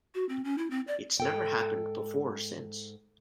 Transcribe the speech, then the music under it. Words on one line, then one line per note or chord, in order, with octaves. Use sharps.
It's never happened before or since.
F#4
C4
C#4
E4
C4
D5
G#2 A4 G5